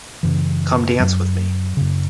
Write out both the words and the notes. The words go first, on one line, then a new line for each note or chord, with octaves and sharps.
Come Dance with Me!
F#2 C#3 E3
F#2 F#3
F#2 C#3